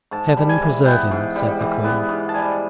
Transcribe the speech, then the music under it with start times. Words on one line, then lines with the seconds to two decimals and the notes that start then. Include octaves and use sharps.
"Heaven preserve him!" said the queen.
0.11 G#2 A5
0.37 G3
0.49 G#5
0.62 E3
0.86 B3 G5
1.11 G#2
1.35 G3
1.61 E3
1.84 B3
2.09 G#2
2.29 A5
2.35 G3 G#5